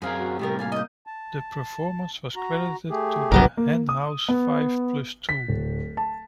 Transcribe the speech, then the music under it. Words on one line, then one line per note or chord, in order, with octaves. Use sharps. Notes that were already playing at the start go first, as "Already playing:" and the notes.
The performance was credited to the "Henhouse Five Plus Too".
F#2 C4 G#4 A#4 F5
F#4
A2 C3 G3 A3 B3 G4 A#4
A#3 F5 G#5 A5
D#5 G6
A5
F#4 A#5
A3 G4 G#4
G1 C2 G2 F#3 B3 A#4
A#3
D#6
B3
B6
D1
A5